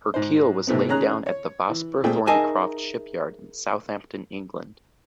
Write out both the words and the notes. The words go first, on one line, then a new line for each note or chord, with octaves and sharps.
Her keel was laid down at the Vosper Thornycroft shipyard in Southampton, England.
G#2 C5
G#2 C3 A3 B3 C4
D#3 C#4 G#4 A#5 F#6
C#5
E3
A#2 A3 C4 G#4 G5
D#4 G#4 A#4 E5 G#5 A5